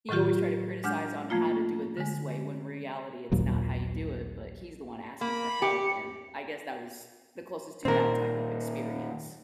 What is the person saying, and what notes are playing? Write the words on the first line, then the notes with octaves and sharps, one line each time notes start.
he always tried to criticize on how to do it this way when in reality it's not how you do it, but he's the one asking for help, and I guess that was the closest to that type of experience.
A2 D#3 F#3 F4 G4
G#3 D4 F#5 F6 G6
F3 A3 A#3 F4
D3 G#3
A#1 D#2 A#2 F#3
A#3 B5
G4 C#7
A#2 D#3 C4 A#4